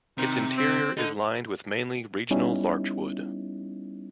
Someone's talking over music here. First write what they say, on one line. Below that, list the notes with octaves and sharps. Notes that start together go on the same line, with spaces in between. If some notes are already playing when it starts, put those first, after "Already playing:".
Its interior is lined with mainly regional larch wood.
C3 D#3
C4
D3 D#4
G3 B3 C#4 D#4 E4